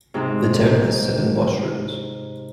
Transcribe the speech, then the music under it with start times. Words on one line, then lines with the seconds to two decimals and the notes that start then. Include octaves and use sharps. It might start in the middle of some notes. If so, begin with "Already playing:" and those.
The town has seven bus routes.
0.14 G#2 C3 G#3 D#4